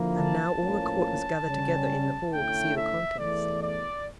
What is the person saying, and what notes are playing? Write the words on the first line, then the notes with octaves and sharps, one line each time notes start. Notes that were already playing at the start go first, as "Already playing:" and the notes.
And now all the court was gathered together in the hall to see the contest.
Already playing: D3 F3 A#3 E4
A5
A2 F3 A#3 C#4
C#3 G3 C#4
D3 A3 C#4 E4 G5
E5
E2 E3 A3 D5
D5